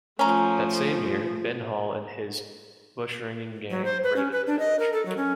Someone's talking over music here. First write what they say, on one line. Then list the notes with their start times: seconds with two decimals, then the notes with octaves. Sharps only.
That same year, Ben Hall and his bushranging gang raided the village.
0.19 F3 A3 C#4 A#5
3.70 F#3
3.85 C5
4.03 B4
4.16 C#4
4.32 B4
4.47 D4
4.59 D#5
4.79 A#4
4.93 A4
5.06 F#3
5.17 C#4